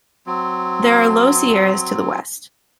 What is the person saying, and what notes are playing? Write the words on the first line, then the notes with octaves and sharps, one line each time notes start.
There are low sierras to the west.
F#3 C4